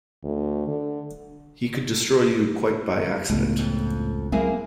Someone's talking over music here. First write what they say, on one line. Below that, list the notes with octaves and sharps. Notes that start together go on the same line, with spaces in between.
He could destroy you quite by accident.
D2
D3
C#2 A2 A3 B3
F2
F#3 G#3 A#3 C4 E4 G#4